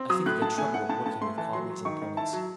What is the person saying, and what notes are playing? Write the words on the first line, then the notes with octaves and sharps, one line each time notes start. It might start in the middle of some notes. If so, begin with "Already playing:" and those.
I think of the trouble of working with colleagues and opponents.
Already playing: C4
F#3 D#6
A2 F#6
A2 A5
A3 G#5
A2 F#5
A2 A5
A2 A5
A3 C6
E3 A5
F#3 C6
F#3
D#3 C#6
D#3
E4 A5
F#3